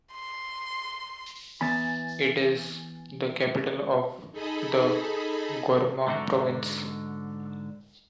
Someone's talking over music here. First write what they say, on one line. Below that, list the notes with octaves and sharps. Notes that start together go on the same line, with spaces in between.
It is the capital of the Gourma province.
C6
E3 B3 G#5 B5 A6
D#4 G#4 A4 D#5 B5
G#2 D3 D4 D#4 F#4